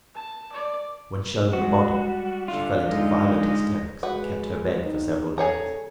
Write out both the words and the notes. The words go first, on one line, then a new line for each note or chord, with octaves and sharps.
When shown the body, she fell into violent hysterics and kept her bed for several days.
A5
D5
G3 G#3 F#4
G3
D3 F4
G#3 D#4
G#3 F#4 B4
E2 G2 D#4
C#3 G3 G#4 A4 C#5 A#5